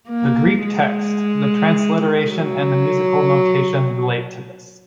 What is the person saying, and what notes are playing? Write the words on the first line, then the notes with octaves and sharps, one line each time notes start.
The Greek text, the transliteration and the musical notation relate to this.
A#3
G#3
F#3